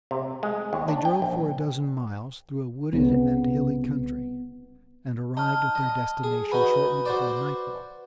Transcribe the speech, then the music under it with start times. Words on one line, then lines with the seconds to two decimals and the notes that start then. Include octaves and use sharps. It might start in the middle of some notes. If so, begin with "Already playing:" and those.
They drove for a dozen miles through a wooded and hilly country, and arrived at their destination shortly before nightfall.
0.11 C3
0.43 G#3
0.73 D#2
0.88 D4
1.05 G5
1.22 A#1
2.93 C2 C#3 B3
5.37 D#4 A5 F6
5.75 D#5
6.24 G#4
6.52 D#4 F#4 B4 G#5 B5
7.05 F#4 C5 D5